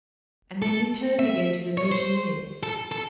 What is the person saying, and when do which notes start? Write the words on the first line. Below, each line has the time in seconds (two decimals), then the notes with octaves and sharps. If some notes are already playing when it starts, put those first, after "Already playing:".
And then he turned again to the mutineers.
0.62 A4
1.19 E5
1.78 C#5
1.92 C5
2.63 A4
2.92 A4